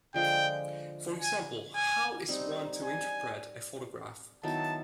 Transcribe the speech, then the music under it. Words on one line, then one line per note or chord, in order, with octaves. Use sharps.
For example, how is one to interpret a photograph?
D3 F3 G#3 G5
G#5
G#5
G3 C4 D#4
G#5
D#3 F#3 B3 E4 A5